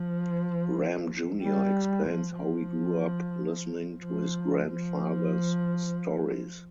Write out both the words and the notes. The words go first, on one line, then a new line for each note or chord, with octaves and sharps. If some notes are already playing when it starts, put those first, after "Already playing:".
Ram Junior explains how he grew up listening to his grandfather's stories.
Already playing: F3
G3
F3
F3
F3
F3